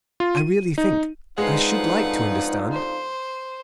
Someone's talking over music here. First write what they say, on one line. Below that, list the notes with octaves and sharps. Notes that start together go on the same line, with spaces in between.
"I really think I should like to understand."
F4
D#7
D#4
F2 D3 F3 G#3 D#4 G#4 B4 F#5
C5